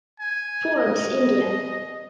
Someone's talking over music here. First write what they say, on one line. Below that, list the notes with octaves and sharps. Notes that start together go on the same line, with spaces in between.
Forbes India.
G#5
D#5